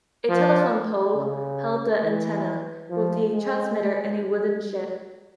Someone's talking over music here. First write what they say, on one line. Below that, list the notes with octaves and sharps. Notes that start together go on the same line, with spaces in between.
A telephone pole held the antenna, with the transmitter in a wooden shed.
F3
C#3
E3
F3
G#3